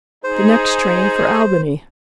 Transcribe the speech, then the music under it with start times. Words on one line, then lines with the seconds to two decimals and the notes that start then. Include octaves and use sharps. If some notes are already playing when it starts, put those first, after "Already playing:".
"The next train for Albany."
0.24 D#4 G#4 C5